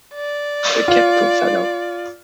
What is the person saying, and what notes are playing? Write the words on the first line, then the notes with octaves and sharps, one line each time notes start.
A capital fellow!
D5
F4